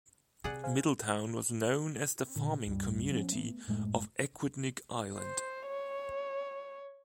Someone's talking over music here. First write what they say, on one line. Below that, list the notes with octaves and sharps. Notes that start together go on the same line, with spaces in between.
Middletown was known as the "farming community" of Aquidneck Island.
C3 G#4 D5 F#5
C5 F5 G#5
A#2 D3
C#2 G2
F3 B3 C#4
A3 B3
F#1 A2 G#3 A3
C5
C#5